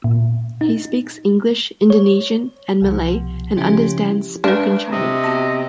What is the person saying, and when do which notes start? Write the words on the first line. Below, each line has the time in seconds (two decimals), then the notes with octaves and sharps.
He speaks English, Indonesian and Malay and understands spoken Chinese.
0.04 A#2
0.61 D#4
1.90 C#5
2.82 C2 B2 F3
3.57 C#3 F3 C#4 E4 G4
4.44 G#3 D4 B4
4.92 C3 D#5
5.24 B3 F#4